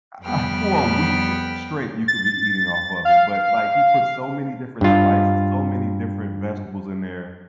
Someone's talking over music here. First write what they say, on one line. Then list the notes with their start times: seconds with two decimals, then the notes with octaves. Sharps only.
I I for a week, eh, straight, you could be eating off of it, but like, he put so many different spices, so many different vegetables in there,
0.22 F2 G3 B3 G5 F6
2.08 A6
3.05 F5
4.81 G2 F4